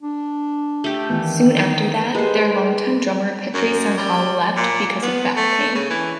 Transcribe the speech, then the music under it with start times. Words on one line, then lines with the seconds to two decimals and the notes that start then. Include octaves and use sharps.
Soon after that, their long-time drummer Petri Sankala left because of back pain.
0.02 D4
0.84 A3 G4
1.10 D#2 D#3 E3 D4
1.57 D#4
2.15 G#3 A#3 D#4 G4 B4 C5
3.54 F#2
3.97 G3
4.57 A#2
5.03 B3
5.37 A3
5.75 C#3
5.90 E3